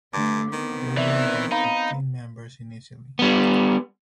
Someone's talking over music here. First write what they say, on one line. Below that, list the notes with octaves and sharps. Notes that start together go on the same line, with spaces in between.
There were about fifteen members initially.
G2 D3 A3 D6
D#3 B3 C4
E3 D5 E5
D#4 F5 A#5 B5
G3 B3